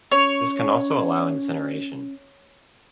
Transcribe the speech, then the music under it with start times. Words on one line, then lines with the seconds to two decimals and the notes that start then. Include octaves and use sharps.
This can also allow incineration.
0.12 C#4 C#5